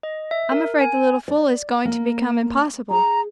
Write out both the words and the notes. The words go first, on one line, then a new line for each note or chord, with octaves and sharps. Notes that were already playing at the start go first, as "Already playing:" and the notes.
I'm afraid the little fool is going to become impossible.
D#5
E5
A#4
G#5
D5
A#3
G#4 A#5